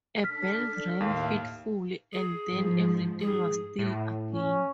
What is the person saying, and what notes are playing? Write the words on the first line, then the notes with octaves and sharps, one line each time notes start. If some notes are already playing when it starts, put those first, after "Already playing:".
A bell rang fitfully, and then everything was still again.
D4 A4 F6 B6
D#2 A2 E5 F5
G#4
G#2 F3
G#2 G#4
A2
C#4